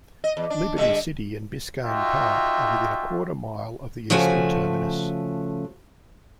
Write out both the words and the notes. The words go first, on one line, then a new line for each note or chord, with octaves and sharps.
Liberty City and Biscayne Park are within a quarter mile of the eastern terminus.
D#5
E2
D4
D3 G3 E5
D#4 F4 F#4 E5 G5
C#3 F3 A3 F#4 G#5